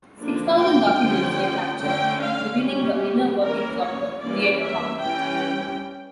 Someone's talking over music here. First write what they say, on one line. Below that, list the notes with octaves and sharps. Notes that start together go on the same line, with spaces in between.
Six thousand documents were captured, revealing the inner workings of the Viet Cong.
D3 F3 A#3 D4
G5
D3 F3 A3 C#4
D3 A3 C#4 G5
F5
G3 C#4 G4
E3 A#3 C#4 A#4
C#5
E3 G3 A#3 C#4 D5
E5
E3 G3 C#4 G5